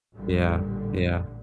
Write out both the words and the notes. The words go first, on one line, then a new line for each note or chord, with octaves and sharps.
Yeah. Yeah.
A1 A#2 D3 G3